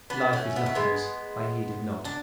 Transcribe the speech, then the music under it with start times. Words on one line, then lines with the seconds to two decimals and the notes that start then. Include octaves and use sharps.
Life is nothings; I heed him not.
0.10 B3 D4
0.33 A3 C#4
0.56 B3
0.66 A3
0.75 G#3 B3
2.05 D4